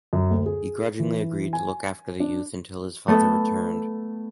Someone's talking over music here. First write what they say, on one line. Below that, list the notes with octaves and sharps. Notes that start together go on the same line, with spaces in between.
He grudgingly agreed to look after the youth until his father returned.
F#2
D2
G#4
E3
G#5
D4
A3 B3 A4